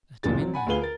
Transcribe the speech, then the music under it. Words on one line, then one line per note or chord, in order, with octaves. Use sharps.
"Let him in, then."
D1 A1 A#2 C#3 A6
F#3 C4
F#5 G#5 B5
D2 F4 G#4 B4 F5 G7
A#4 A6